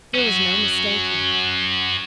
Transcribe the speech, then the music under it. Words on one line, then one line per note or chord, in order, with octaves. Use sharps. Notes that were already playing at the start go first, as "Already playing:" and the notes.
There was no mistaking.
C#4 F#4